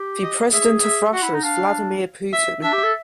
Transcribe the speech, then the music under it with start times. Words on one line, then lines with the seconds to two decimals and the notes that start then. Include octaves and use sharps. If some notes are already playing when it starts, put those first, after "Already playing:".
The president of Russia is Vladimir Putin.
Already playing: G4
0.24 D#5
0.53 G#4 E5
0.83 E5
1.13 F#4 F#5
1.23 E4
1.34 D#4
1.43 D4 F5
2.33 E5
2.63 D4 E5
2.73 G4
2.83 A4